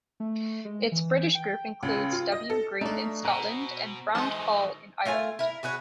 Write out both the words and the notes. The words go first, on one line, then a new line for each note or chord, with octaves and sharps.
Its British group includes W. Green in Scotland and Round Hall in Ireland.
A3
G#3
E3
G5
C#2
F4
D#5
A4
B2 A3 D4 D#4 D5
B2 C4 A#5
B2 D3 E3 G#3 D#4 C5 A5
A3 F4 A#4 G#5
E4 A#4
F#4 G#4 B4 C#5